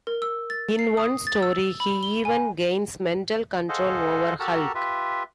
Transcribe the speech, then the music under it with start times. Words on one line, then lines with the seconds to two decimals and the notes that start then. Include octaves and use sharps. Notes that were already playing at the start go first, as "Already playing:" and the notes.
In one story, he even gains mental control over Hulk.
0.07 A#4
0.22 E6
0.50 A6
0.79 C7
0.97 D#6
1.27 A6
1.43 E6
1.80 B5
2.03 G7
2.25 G#5
3.69 G#4 A4 C5 D#5 F5 F#5
4.40 F#4 G4 A4 A#4 A5 A#5
4.75 F4 G4 B4 E5